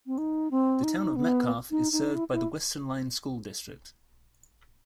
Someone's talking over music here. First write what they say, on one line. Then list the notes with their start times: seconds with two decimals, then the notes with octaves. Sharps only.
The Town of Metcalfe is served by the Western Line School District.
0.07 C4
0.18 D#4
0.51 C4
0.83 D#4
1.16 B3
1.71 D#4
1.92 D#4
2.15 E4
2.33 E4